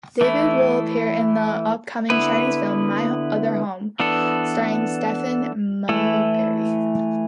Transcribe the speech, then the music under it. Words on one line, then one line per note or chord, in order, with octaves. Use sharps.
Davis will appear in the upcoming Chinese film "My Other Home" starring Stephon Marbury.
E3 A3 E4
D3 B3 E4 B4
E3 B3 D4 A4
E3 A3 E4